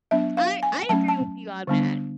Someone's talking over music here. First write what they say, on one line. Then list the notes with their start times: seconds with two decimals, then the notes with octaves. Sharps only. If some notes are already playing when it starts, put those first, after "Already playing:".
I I agree with you on that,
0.11 F#3 B3 D4 E5
0.37 F5
0.63 G#5
0.89 F#3 A3 C#4 A5
1.08 A5
1.67 D3 G3 B3 D4